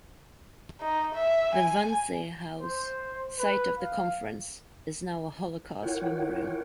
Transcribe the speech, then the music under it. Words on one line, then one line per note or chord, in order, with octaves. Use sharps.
The Wannsee House, site of the conference, is now a Holocaust memorial.
D#4
E5
G#5
C5
B4
F5
E4 F4 A#4 C#5 F#5 G5